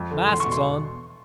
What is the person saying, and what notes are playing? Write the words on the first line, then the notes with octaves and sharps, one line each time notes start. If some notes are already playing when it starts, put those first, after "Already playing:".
Masks on!
Already playing: F2
D3
E2 C6
C#6
B2
C6